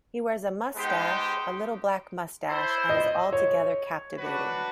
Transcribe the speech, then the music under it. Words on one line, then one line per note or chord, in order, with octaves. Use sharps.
He wears a moustache, a little black moustache, and is altogether captivating.
G#3 B3 D#4 G4 C5
E4 A4 C5
D#5
C#5
D4 F#4 B4